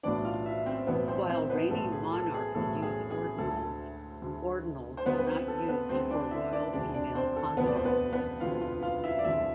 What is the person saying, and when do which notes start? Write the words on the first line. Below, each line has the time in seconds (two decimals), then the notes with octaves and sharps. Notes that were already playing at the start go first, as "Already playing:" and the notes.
While reigning monarchs use ordinals, ordinals are not used for royal female consorts.
0.03 B1 A2 E3 B3 D4 D5
0.25 F4 F5
0.45 E4 E5
0.66 C4 C5
0.87 B1 A2 E3 B3 B4
1.08 C4 C5
1.29 C4 C5
1.50 B3 B4
1.71 B1 A2 E3 B3 A4
1.92 G#4
2.13 A4
2.34 G#4
2.54 B1 A2 E3 B3 A4
2.82 G#4
3.10 G#4
3.38 D2 D3 G#3 A4
4.22 D2 D3 G#3
4.97 C5
5.06 D2 D3 G#3 B3 B4
5.18 B4
5.27 C4 C5
5.48 A4
5.69 B3 B4
5.89 D2 D3 G#3 C4 C5
6.11 D4 D5
6.31 E4 E5
6.53 D4 D5
6.73 E1 D2 D3 G#3 C4 D4 D5
6.94 D4 D5
7.15 C4 C5
7.37 A4
7.57 E1 D2 D3 G#3 B3 C4 B4
7.66 D5
7.76 C5
7.85 B3 B4
8.13 B3 B4
8.40 E1 D2 D3 G#3 C4 F4 F5
8.61 F4 F5
8.82 F4 F5
9.04 E4 E5
9.19 D5
9.24 E1 D2 D3 G#3 C4 E4 E5